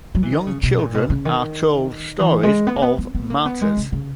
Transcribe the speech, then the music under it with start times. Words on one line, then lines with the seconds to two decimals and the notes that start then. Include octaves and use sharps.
Young children are told stories of "martyrs".
0.15 F#3
0.23 E3
0.32 D#3
0.47 C#3
0.63 B2
0.79 A#2
0.95 B2
1.10 C#3
1.25 D#3
2.20 E3
2.43 G#3
2.67 B3
2.76 A#3
2.82 B3
2.98 B3
3.15 B3
3.30 A#3
3.46 B3
3.61 G#3
3.77 C#3
3.92 C#3